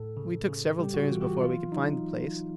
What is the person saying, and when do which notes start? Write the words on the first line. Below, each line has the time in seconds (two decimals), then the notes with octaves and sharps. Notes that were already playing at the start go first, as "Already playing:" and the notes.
We took several turns before we could find the place.
Already playing: A2 A4
0.17 C#3
0.48 C#3
0.79 G3 G4
0.94 F#4
1.09 E3 F4
1.21 G4
1.25 F#4
1.41 F#3 F4
1.72 F#3 D#4